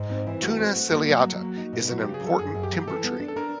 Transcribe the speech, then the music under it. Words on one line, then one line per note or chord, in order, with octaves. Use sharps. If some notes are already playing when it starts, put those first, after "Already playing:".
"Toona ciliata" is an important timber tree.
Already playing: G#2
C4 D#4
E3 E4
A3 F#4
C4
A3
A#3 F#4
F#3
F#3
A#3
D#4
B2
F#3 F#4
C#3 G4
G#4
F#3 A4
F#2 G#4
F#2
G4
F#3
E3 A4
B3
D4
A4
D4 A#4